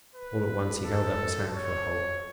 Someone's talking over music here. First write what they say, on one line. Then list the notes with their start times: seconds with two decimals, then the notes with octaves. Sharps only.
All at once he held up his hand for a halt.
0.15 B4
0.85 A4
1.55 C#5